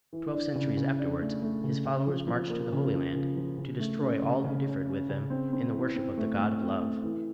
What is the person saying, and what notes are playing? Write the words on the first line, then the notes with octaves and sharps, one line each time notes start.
Twelve centuries afterwards his followers marched to the Holy Land to destroy all who differed with them in the worship of the God of Love.
E3
D4
C#3
C#3
D4
A3
A3
C#3
C#3
F3
F3
A#3
C#3
F3
C#3
F3
C#3
A3
C#4
C#3
C#3
C#4
C#4
C#3
C4
C4
E3
C4
A3
A3
C4
A3
E3